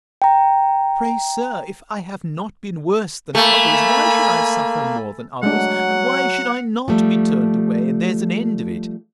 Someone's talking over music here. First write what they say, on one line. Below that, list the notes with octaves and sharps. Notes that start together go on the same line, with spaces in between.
Pray, sir, if I have not been worse than others, why should I suffer more than others? and why should I not be turned away, and there's an end of it?
G5 A#5
A3 A#3 G#5 B5
F#3 G#3 A3 D4 F#5
F3 G3 A3